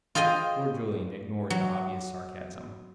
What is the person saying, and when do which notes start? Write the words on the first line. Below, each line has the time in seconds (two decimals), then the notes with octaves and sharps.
Lord Julian ignored the obvious sarcasm.
0.15 F4 G#4 C5 D#5 G5
1.50 F#3